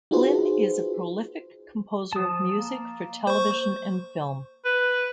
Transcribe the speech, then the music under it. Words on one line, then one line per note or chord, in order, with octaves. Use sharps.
Glynn is a prolific composer of music for television and film.
D#4 F4 F#4 G#4 B4 C5
F3 A5 D#6
A#3
C5 C#6
B4